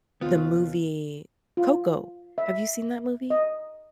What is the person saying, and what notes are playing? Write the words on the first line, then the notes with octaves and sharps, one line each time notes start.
the movie Coco. Have you seen that movie?
D#2 C3 B3 F4
F4
E5
D#5